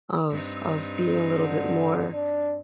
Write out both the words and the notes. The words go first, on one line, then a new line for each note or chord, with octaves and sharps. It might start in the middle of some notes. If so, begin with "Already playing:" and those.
of of being a little bit more,
G2 C4 D#4
D3
D4